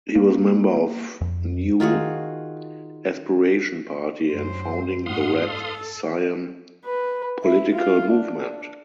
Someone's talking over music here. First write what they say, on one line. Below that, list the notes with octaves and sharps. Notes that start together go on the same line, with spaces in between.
He was member of New Aspiration Party and founding the Red Siam political movement.
A#3
F2
D#3 F4 F#4 G#4
F#2 C5
G#2 F5 F#5 C6 D#6
A4
B4
E4
F4
D4